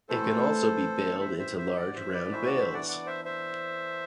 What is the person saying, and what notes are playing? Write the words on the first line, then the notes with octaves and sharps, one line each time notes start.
It can also be baled into large round bales.
A2 E3 A3 C4 A4 C5
C5 E5
C5 E5
C5 E5
D5 F#5
C5 E5
B4 D5
E3 B3 D4 F#4 C5 E5
D5 F#5
C5 E5
D5 F#5
D5 F#5
C5 E5
C5 E5